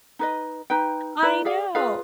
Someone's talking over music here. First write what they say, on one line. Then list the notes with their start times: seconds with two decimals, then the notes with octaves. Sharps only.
I know!
0.19 D#4 B4 D#5
0.70 D#4 B4 G5
1.22 D#4 B4 D5
1.45 G4 G#4 D5 F5
1.75 F4 G#4 B4 F5